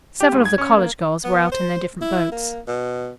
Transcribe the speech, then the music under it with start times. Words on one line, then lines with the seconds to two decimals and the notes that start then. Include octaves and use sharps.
Several of the college girls were out in their different boats.
0.20 G4
0.32 G#2
0.45 G#6
0.58 C#4
0.77 A#3
1.25 B3
1.52 C5
2.01 E4
2.32 A#3
2.67 B2